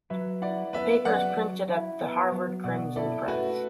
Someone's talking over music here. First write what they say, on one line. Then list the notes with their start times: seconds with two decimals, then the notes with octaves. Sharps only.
The paper is printed at "The Harvard Crimson" press.
0.10 F#3 B4 E5
0.42 E4 D5 F#5
0.73 B3 B4 E5
1.05 F#3 D5 F#5
1.37 F#3
1.69 E4
2.01 B3
2.32 F#3
2.64 B2 D5 F#5
2.96 E4 A4 D5
3.28 A3 F#4 B4